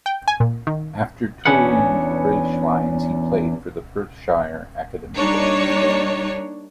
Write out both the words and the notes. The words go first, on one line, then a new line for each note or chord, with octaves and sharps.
After touring with the British Lions, he played for Perthshire Academicals.
G5
G#5
A#2
D#3
E2 C#4 D4 G#4 B4 F#5
G3 A#3 D4 D#4 C#5